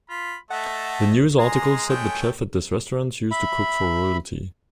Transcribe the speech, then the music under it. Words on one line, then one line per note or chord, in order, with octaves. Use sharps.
The news article said the chef at this restaurant used to cook for royalty.
F4 B5
A3 A4 D#5 E5 F#5
G#3 G#5 A#5 C6
A3 C#5 G5
E5 B5